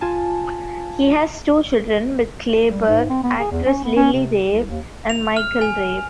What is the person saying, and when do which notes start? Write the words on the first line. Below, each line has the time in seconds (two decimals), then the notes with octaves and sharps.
He has two children with Clayburgh, actress Lily Rabe and Michael Rabe.
0.01 F4 G#5 A5
2.69 G3
2.87 G#2
3.10 C4
3.23 B3
3.39 G#4
3.51 E2
3.66 C#4
3.83 B3
3.96 C#4
4.13 C3
4.47 C2
4.69 D#2
5.10 F7
5.37 F6
5.61 G#5